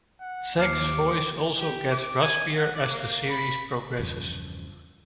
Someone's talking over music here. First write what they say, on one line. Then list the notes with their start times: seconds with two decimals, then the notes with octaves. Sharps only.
Zack's voice also gets raspier as the series progresses.
0.21 F#5
0.59 D#2 D6 F6 C7 C#7
1.60 G4
1.91 D6
2.22 G#5
2.57 F#5
2.75 D5
2.90 A#3
3.30 B5
3.99 E2 G2 C#3 F3